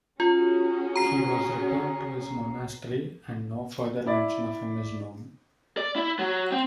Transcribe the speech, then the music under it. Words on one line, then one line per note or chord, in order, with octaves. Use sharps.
He was returned to his monastery, and no further mention of him is known.
C#4 F4 F#4 G#4
A#5 C7
E4 D5
D5
E4
F#3
C4